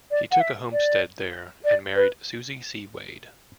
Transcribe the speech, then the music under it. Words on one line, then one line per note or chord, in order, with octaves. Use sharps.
He took a homestead there and married Susie C. Wade.
D5
F#5
E5
D5
D5
B4